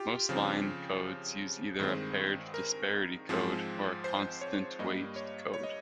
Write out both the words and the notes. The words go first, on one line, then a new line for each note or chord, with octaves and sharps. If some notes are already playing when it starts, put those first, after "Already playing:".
Most line codes use either a paired disparity code or a constant-weight code.
Already playing: F4 G4
C#3 F3 C4
G2 D#3 G#3 C4 G#4
A#4
G#2 F3 G#3 C4
C5
C#5
G2 G3 A#3 D#5
C#5
C#5
D#5